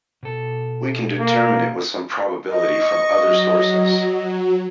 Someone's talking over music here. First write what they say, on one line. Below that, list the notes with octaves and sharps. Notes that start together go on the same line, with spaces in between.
We can determine it with some probability from other sources.
B2 A4
A#3
D#5 C#6
F#3